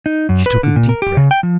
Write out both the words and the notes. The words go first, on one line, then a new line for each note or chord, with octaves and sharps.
She took a deep breath.
D#4
F#2
B4
D3
A#2
A#4
G4
C#3
G5
F3